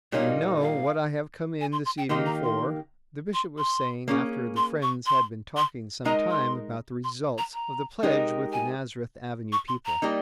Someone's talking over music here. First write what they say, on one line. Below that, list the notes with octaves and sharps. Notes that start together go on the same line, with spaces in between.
"You know what I have come in this evening for?" the Bishop was saying after the friends had been talking some time about the results of the pledge with the Nazareth Avenue people.
A#2 G3 A#3 D#4 C#5
F5
G#5
C6
C6
G5
D#3 A#3 D#4 G4 C6
A#5
C6
C6
C6
A#3 C#4 G#4
C6
C#6
C6
C6
G#3 D#4 A#4 D#5 A#5
C6
C6
A#5
A#5
G#3 D#4 G4 A#4 D#5
G#5
C#6
C6
A#5
G3 A#3 D#4